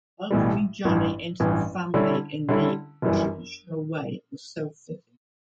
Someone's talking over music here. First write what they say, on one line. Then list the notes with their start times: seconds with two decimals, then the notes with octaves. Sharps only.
Welcoming Johnny into the family in the traditional way was so fitting...
0.31 B1 A2 E3 G3
0.85 A1 G2 E3
1.40 A1 G2 E3
1.94 D3 G3 C#4 E4
2.49 D3 G3 C#4 E4
3.02 G1 F#2 E3 G3